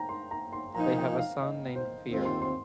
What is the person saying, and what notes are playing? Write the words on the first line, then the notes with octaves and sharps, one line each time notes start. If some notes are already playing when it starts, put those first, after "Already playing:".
They have a son named Veer.
Already playing: G5 A#5
C6
A#5
C6
A#2 F3 D#4 A#5
G5
F5
D#5
C5
D#2 D#3 C4 F4
C6
C6